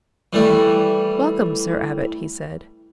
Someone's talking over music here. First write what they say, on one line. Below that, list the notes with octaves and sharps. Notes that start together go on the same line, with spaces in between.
"Welcome, Sir Abbot!" he said.
E3 G3 A3